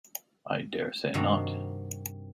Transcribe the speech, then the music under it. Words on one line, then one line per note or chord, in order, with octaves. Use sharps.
I dare say not.
G2 C3 D#3 C4 F#4 A#5